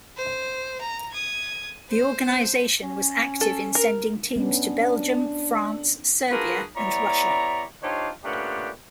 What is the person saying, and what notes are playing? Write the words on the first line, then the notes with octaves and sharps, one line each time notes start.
The organisation was active in sending teams to Belgium, France, Serbia and Russia.
C5
A#5
D#6 G#6
C5
C#4
A4
A#4
B3 C#4 D4
D4 F4 F#4 G#4 A#4 B4
B3 E4 G4 C#5 D5 A#5
D4 D#4 F4 G4 C5 C#5
A#2 A3 B3 C#4 D4 G4